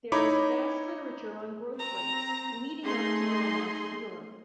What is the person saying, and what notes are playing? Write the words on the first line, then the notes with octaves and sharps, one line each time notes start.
There is a vast literature on growth rates, leading up to Gromov's theorem.
D#4 E4 C#5 A#5 B5 D6
C4 A#5
A3 D#4 G#4 C6